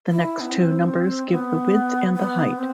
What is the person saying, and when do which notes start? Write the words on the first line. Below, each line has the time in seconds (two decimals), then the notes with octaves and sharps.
The next two numbers give the width and the height.
0.08 E4
0.40 B3
0.49 C4
1.31 B3
2.15 B3
2.55 C4